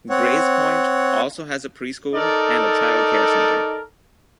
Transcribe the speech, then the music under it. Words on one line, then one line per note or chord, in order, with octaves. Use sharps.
Grays Point also has a preschool and a child care centre.
C4 C#5 F#5
D#4 A4 A#4 D5